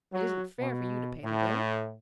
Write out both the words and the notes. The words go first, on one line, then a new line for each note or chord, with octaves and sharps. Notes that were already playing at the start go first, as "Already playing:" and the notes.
It isn't fair for you to pay the bill.
F#3
B2
A2